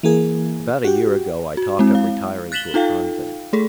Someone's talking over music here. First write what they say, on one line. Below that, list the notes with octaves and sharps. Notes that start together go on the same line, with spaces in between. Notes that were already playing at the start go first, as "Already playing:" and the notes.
About a year ago, I talked of retiring to a convent.
E3 A#3 G#4
F#4 G4
F#4
G#3 C4 E4
F5
F#6 A6 B6 E7 F#7 G7
D#4 F4 A4 F5 G5
A3 G#4 A4